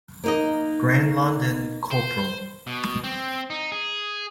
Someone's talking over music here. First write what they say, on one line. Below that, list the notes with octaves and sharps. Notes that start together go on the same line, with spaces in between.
Granlund and Cpl.
A#3 D#4 D#5
C5
B2
C4
D#4
G#4